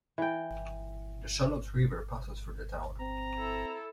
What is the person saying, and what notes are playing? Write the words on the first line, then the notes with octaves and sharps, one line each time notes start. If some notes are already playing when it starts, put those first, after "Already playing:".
The Shallotte River passes through the town.
E3 G5
C4 A#5
E4 A4